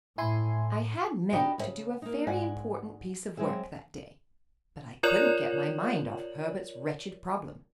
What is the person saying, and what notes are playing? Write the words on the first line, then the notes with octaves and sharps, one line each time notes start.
I had meant to do a very important piece of work that day, but I couldn't get my mind off Herbert's wretched problem.
A2 E4 G#5 C6
D4 D#4 F#4 G4 B4 D#5
D2 C#3
A#3 D#4
G#2 D5 F#5 G#5
F#3 G#3 C4 G#4 E5
F4 A#4 C#5 D5 F#7